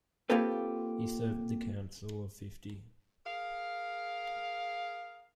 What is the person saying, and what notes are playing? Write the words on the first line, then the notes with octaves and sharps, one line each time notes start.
He served on the Council of Fifty.
A#3 C4 F4 G4 A4 B4
G#4 A#4 F5